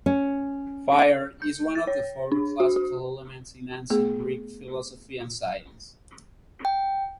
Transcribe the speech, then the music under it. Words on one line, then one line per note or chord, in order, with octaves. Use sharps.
Fire is one of the four classical elements in ancient Greek philosophy and science.
C#4
G6
A6
C#5
D4
F#4
F#4
A3 B3 G#4
G5